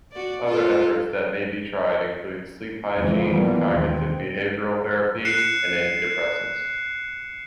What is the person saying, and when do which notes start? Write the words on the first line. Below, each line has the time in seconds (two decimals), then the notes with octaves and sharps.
Other efforts that may be tried include sleep hygiene, cognitive behavioral therapy, and antidepressants.
0.12 F#4 D5
0.45 F4 A4
2.97 F2 C#3 E3 F3 G#3
3.27 E3 F3 G3 A#3 B3
3.68 D#2 B2 C4
5.25 F#6 C7 C#7 E7